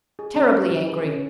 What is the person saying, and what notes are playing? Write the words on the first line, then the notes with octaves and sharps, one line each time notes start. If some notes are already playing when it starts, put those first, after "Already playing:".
"Terribly angry."
G#4
C#4
C#5
F#3
G#4
C#4